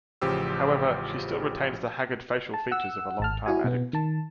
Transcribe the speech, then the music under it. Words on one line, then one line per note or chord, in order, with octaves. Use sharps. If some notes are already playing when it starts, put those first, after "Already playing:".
However, she still retains the haggard facial features of a long-time addict.
A1 C#3 F3 G4 C5 E6
A5
F#5 E6
G#1 A5 F6
E4 F#4 G#5
B2 B3
D#3 A5